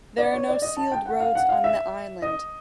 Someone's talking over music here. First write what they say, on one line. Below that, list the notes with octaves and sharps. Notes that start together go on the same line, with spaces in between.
There are no sealed roads on the island.
D5
C#5
D5
D#5
A5
G5
F#5
F5
F#5
F5
E5
D#5